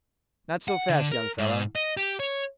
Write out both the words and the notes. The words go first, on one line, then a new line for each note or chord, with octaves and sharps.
Not so fast, young fellow.
F#5
D3
A#4
G#2
D#5
G4
C#5